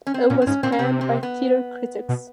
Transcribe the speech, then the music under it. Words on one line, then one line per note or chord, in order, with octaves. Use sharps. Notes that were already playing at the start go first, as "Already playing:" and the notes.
It was panned by theatre critics.
C#4
C4
A#2 C#4
C4
G#2 C#4
A#2 C4
C#4
C3 C4
C4
B3
B2